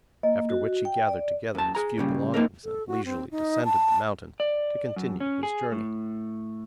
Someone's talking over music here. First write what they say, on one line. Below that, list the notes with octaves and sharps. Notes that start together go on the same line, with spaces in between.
After which he gathered together his few belongings, and leisurely descended the mountain to continue his journey.
A#3 D#5
F#4
G5
D5
F#2 A5
G#4 A#5
A#2 C#3 G3
A#3 C4 D#4 A4 A#4
A4
F#4
C4
D#4
A5
D5
F#2
C#4
G#4
A2